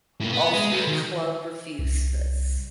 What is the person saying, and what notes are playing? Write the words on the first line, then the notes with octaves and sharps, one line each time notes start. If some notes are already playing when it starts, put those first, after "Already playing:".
All three club refused this.
A2 A#3
B3
G#3 G#4
A4 B4
D#3
C2